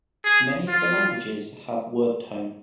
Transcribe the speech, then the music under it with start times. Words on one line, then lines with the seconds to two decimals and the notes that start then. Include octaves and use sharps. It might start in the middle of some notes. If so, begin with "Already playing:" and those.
Many of the languages have word tone.
0.25 G#4
0.68 F4